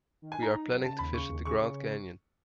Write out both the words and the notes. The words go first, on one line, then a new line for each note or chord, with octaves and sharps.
We are planning to visit the Grand Canyon.
D#3
G#5
D#4
A#5
D#4
F#3
C#3 A5
D#2 B5
C#3 C#6
D#2
C#3 C#6
C#3